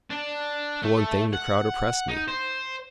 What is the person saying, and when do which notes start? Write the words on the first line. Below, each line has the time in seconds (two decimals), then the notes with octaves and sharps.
For one thing, the crowd oppressed me.
0.10 D4
0.82 A3
1.33 F#5
2.09 D#4
2.28 C5